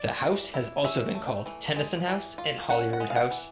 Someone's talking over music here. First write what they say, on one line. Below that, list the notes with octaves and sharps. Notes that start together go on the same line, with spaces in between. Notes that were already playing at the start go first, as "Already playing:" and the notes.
The house has also been called Tennyson House and Holyrood House.
Already playing: D5
E3
E4
C#4 E5
A3
E3
G#3
E3
F4
C#4 F#5
F#5
G#3
F5
F#5
E3